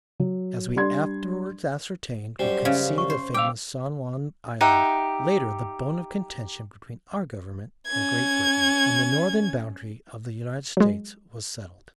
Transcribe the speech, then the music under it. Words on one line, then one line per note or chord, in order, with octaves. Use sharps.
As we afterwards ascertained, we could see the famous San Juan Island, later the bone of contention between our government and Great Britain, when the northern boundary of the United States was settled.
F#3
G3 D4 D5 C6 G#6
F#2 G3 C5
C#3 E5 F5
C#6
C5
C2 F5 G5 D6 E6
D#4 G4 E5 F#5
C#4 G#6
F#3 G#3